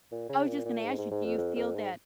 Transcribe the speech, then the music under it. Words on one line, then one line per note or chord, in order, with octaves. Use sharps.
I was just gonna ask you, do you feel that
A#2
C#3
A#2
A#2
G#2
G#2
G#2
F2
F2
F2
G#2